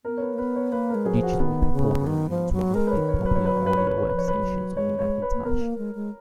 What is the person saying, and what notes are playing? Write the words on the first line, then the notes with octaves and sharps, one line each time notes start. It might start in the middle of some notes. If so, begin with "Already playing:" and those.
Digital Performer remains one of the popular audio workstations on the Macintosh.
B3 A#4
C#5
B4
A#3
B3 B4
C#5
A#3 B4
A#4
G#3
F#3 G#4
F3
F#4
D#3 B3
C#3
D#3
F3
F#3
G#3 A#4
B4
C#5
D#3
C#5
F#3
B4
C#5
B4
C#5
B4
C#5
B4
C#5
F3 B4
C#5
B4
G#3
F#3
G#3 C#5
G#3 C#5
B4
A#3
B3 A#4
A#3
G#3
G#3